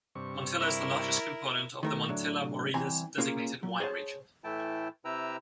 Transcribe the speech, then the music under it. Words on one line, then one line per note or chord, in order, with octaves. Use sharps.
Montilla is the largest component of the Montilla-Moriles designated wine region.
G2 C3 C#6
E4 A#4
D#3 A3 A#4
A2 D3 F#3
C2 E3 C4 G#5 A#5
A#3 C#4 F4 G#4 A#4
F#3
G#4 C5 C#5 F5 A5
A2 E3 A3 E4 G5 A5
C3 E4 B4 G5 A#5 E6